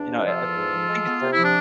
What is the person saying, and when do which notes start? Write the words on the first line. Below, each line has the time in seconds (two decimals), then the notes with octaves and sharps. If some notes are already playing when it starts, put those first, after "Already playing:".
you know, I I I think it's different.
Already playing: E2 D4
0.08 C3
0.20 B4
0.24 F3 F4 A4
0.41 E2
0.56 G#2
0.73 F3
0.89 G#3
1.06 B3
1.21 C3
1.32 E4
1.37 F3
1.43 D4